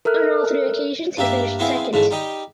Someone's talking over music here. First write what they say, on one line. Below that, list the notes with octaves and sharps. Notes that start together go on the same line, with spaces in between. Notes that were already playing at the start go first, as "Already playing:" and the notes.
On all three occasions he finished second.
A4 A#4 E5 F6 F#6
G2 A#3 G4 E5
B3 C4 E4 G#4 F5
G#2 C#3 E3 A3
G3 D#4 G4 D#5